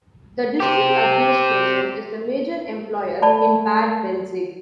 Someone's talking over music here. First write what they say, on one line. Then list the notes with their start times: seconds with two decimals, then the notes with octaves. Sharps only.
The district administration is the major employer in Bad Belzig.
0.60 G4 C5
3.22 A3 D5 A5 B5